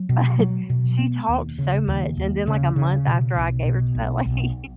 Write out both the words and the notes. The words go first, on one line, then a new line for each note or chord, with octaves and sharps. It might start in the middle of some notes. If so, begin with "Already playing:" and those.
But she talked so much, and then, like, a month after I gave her to that lady,
Already playing: F#3
B2
F#3
B2
B3
D#2
C#3
D#2
D#2
C#3
C#3
B2
B1
B2
B1
B1